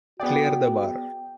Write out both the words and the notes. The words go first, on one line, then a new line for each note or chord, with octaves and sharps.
Clear the Bar.
B3 F#4 G#4 D5 G5